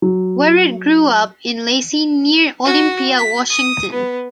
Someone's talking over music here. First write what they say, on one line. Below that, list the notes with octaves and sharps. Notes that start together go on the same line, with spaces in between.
Wherret grew up in Lacey near Olympia, Washington.
F#3
F#4
B6
D#6
B3